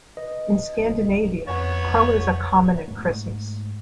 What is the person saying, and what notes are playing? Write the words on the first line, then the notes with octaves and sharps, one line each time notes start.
In Scandinavia crullers are common at Christmas.
B4 D#5
F2 B3 C#5
G#2 A3